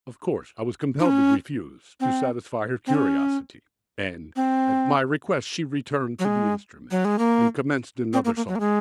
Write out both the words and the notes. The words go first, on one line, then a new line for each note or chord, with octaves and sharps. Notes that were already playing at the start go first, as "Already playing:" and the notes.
Of course, I was compelled to refuse to satisfy her curiosity, and at my request she returned to the instrument and commenced another song.
D#4
C#4
C4
C4
C#4
C4
F#3
G#3
F#3
G#3
A#3
C4
A#3
A#3
F#3
A#3
G#3